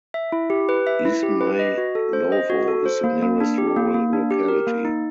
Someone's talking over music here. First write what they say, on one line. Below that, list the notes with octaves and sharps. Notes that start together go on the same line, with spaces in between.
Izmaylovo is the nearest rural locality.
E5
E4
G4
B4
E5
E4
G4
B4
D#5
F#4
A4
C5
D#5
F#4
A4
C5
A#3
A#3
D4
G4
A#3
A#3
D4
G4
A#4
A#3
D#4